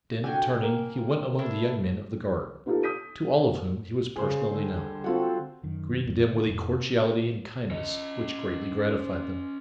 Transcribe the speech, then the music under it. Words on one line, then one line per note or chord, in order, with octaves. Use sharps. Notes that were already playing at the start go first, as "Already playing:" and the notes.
Then turning, he went among the young men of the guard, to all of whom he was personally known, greeting them with a cordiality and kindness which greatly gratified them.
D3 F#4 G5 G#5
A#3 A#4
D4 E4 A4
B3 D#4 F4 G4 A4
D#6 G6 B6 D#7
C#3 G#4 C5
D3 G3
C4 F4 F#4 A4 F#5
F#2 D#3
F1 B1 E2
B2 D3
F1 A2
C#4 D#5